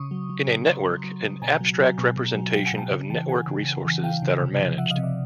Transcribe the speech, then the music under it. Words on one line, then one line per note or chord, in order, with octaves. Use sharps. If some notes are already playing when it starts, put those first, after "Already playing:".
In a network, an abstract representation of network resources that are managed.
Already playing: C#3 C#6 D#6
F#3
F#3
C#3
C#3 A#5 C6
F#3
F#3
C#3
B2 G#5 A#5
F#3
F#3
B2
B2
F#3
F#3 F5 G5
F#5 G#5
B2
G5 A5
C#3
E3 G5 A5
E3 F#5 G#5
C#3
C#3
E3
E3 F5 G5
C#3
C3
F3
F3 E5 F#5
D#5 F5
C3
D5 E5